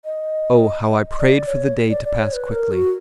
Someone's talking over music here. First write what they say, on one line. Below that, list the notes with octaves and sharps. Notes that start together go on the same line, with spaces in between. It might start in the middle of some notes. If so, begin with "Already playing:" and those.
Oh, how I prayed for the day to pass quickly!
D#5
D5
C#5
D5
D5
C#5
B4
A#4
F#4